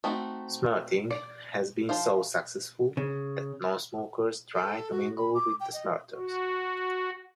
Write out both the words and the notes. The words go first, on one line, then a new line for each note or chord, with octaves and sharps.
Smirting has been so successful that non-smokers try to mingle with the smirters.
A3 C4 D#4 F4 F#4
D5
F3 F4 C5 F5
C#3
A4
F#4
B5
D6
G5
D#5
F#4